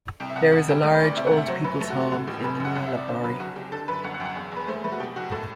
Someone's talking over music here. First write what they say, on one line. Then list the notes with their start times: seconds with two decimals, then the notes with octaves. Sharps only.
There is a large old people's home in Luolavuori.
0.20 C2 G5
0.30 E5
0.36 C2 F#5
0.52 A1 F#5
0.68 G3 G5
0.83 A3 G5
0.94 B4
1.00 D2 D5
1.17 C3 E5
1.27 F#5
1.32 A3
1.37 E5
1.48 F#3 C5
1.64 F#2 B4
1.80 A3 A4
1.90 F#4
1.96 A3
2.01 F#4
2.12 A2 F#4
2.27 A1 G4
2.44 F#2 B4
2.60 F#2
2.65 F#5
2.76 C2 F#5
2.87 E5
2.92 C2
2.97 D5
3.08 D3 C5
3.24 F#3 B4
3.39 F#1 F#4
3.56 F#1 G4
3.72 D3 A4
3.88 F#2 B4
4.04 G1 F#5
4.14 F#5
4.20 F#2 G5
4.25 F#5
4.36 E2
4.52 E2 B4
4.67 A3 C5
4.84 A3 B4
4.92 F#4
5.00 B2 G4
5.16 F#1 F#4
5.31 A2 A4